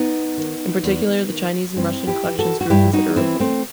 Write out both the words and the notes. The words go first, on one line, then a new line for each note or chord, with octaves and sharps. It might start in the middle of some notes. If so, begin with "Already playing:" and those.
In particular, the Chinese and Russian collections grew considerably.
Already playing: B3 D#4
D#3
E2
D#3
G2 C4 E4
E4 G4
E3
F#4 A4
F#4
G2 E4 G4
D#4 F#4
E3 C4 E4
A3 C4